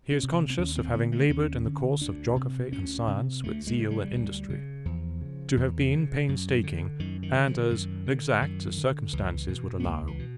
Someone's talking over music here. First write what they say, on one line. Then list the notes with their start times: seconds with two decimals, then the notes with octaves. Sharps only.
He is conscious of having laboured in the course of geography and science with zeal and industry, to have been painstaking, and as exact as circumstances would allow.
0.12 C#4
0.23 C3
0.50 C4
0.58 D#2 C#4
0.76 C4
0.94 D3 B3
1.12 A3
1.29 D#2 C#4
1.66 D3
2.01 D2 D4
2.36 C3
2.72 D2 C#4
3.08 C3
3.44 D2 A3
3.67 G#3
3.79 C#3
3.91 G3
4.14 D2
4.50 C#3
4.85 E2 F3
5.21 C#3
5.57 E2
5.93 C#3
6.29 F#2
6.63 D3
7.00 F#2 D#3
7.23 D#3
7.35 D3
7.47 F3
7.70 F#2 D#3
8.06 D3
8.42 F#2 D#3
8.77 D3
9.13 C#2 E3
9.48 B2
9.80 B3
9.83 C#2 A#3
10.07 E3
10.19 B2